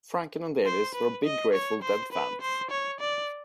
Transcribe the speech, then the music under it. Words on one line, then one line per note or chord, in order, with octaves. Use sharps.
Franken and Davis were big Grateful Dead fans.
C5
B4
D#5
C#5
C5
B4
C5
C#5
D5